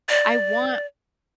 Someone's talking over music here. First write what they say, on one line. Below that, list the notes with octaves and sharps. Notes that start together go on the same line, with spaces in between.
I want
D5